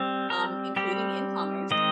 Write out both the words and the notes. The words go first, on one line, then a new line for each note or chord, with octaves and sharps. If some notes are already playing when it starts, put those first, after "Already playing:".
um, including in commerce
Already playing: G3 C4
A#4
G3 C4 G4
D#3 G#3 C4 D#5